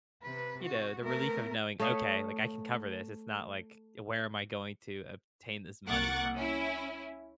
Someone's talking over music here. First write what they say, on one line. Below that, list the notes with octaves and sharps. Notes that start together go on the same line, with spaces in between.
you know, the relief of knowing, "Okay, like I can cover this," it's not like, "Where am I going to obtain this money from?"
C3 B4
F#4
A3 B3 A#4
A3 C#5 D#5 F5
C2 A#3 F#5 C#6 D6 A6
C#4 E4